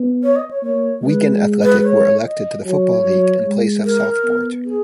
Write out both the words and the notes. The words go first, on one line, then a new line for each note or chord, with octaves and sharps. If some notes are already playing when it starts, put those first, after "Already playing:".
Wigan Athletic were elected to the Football League in place of Southport.
Already playing: B3
C#5
D#5
C#5
A#3 C#5
G#3 B4
B4
C#5
D#5
F#3 C#5
F#3
G#3
A#4
B3
G#4